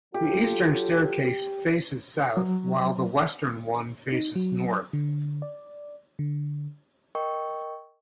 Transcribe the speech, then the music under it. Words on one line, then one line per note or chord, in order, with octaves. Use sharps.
The eastern staircase faces south while the western one faces north.
F#3 F4 G4 A4
F#3
D#4
F#3
D3
D5
D3
A#4 D#5 G5 C#6